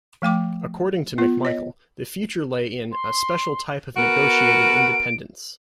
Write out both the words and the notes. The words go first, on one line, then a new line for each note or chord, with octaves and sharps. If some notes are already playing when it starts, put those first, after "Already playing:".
According to McMichael the future lay in "a special type of negotiated independence".
F3 A3 G5 D6
B3 F4
C#5 D#5
C6
B3 F#4 A#4 D7